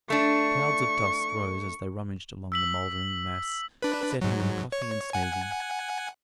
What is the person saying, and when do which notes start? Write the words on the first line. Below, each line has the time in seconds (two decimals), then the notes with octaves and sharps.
Clouds of dust rose as they rummaged among the mouldering mass, setting them coughing and sneezing.
0.10 A3 D4 C#6
2.52 E6 B6 F#7
3.82 D4 B4
4.21 G#2 F#3
4.72 C#5
5.13 F#5 G#5